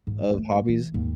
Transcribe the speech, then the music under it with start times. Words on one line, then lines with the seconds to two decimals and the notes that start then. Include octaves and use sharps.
of hobbies.
0.07 G#2
0.33 G#3 A3
0.68 E3
0.94 D#2 G#2